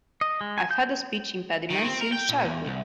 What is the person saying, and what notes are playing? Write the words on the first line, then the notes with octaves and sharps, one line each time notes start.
I've had a speech impediment since childhood.
D#5
G#3
G#5
G6
D#3
C4
A#4
G5
A#2
E2
C2